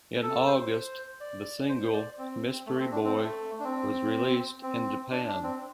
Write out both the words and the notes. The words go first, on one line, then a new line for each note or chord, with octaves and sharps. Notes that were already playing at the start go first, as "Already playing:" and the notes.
In August the single "Mystery Boy" was released in Japan.
A4
C5
D5
C5
D5
C4
A3
C4
D4
C4
A3
D4
C4
C4
D4
D4
C4